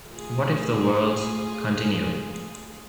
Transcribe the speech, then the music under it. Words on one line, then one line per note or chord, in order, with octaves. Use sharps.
What if the worlds continued?
A3 F4 G#4